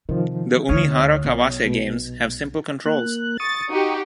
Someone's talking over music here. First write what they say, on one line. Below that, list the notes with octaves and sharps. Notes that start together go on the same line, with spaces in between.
The Umihara Kawase games have simple controls.
C3 D#3 F3
D2 D#4 C#5 D#6 F6
B1
B2
A#3 F#6
C#6 D#6 A6
D#4 F#4 G4